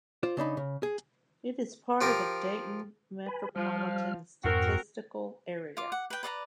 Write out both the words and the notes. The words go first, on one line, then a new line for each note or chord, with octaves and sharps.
It is part of the Dayton Metropolitan Statistical Area.
F4 C5 D5
C#3 D4 D#4 B5
C#3
G#4
F3 G4 A#4
B4 G#5 B5
F3 G3 F6
F2 G#2 C4 F#4 A#4
F4 D6
F#5
B4 G5
B4 D5 F5 A#5